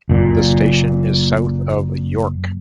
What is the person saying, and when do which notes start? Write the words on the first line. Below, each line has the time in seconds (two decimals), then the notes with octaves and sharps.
The station is south of York.
0.09 F#1 A#2